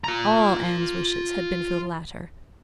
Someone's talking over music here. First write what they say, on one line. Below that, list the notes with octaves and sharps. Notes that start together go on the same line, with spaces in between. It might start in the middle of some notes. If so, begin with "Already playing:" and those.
All Anne's wishes had been for the latter.
F4 A#5